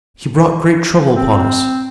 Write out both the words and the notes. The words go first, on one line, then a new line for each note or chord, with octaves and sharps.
He brought great trouble upon us.
C4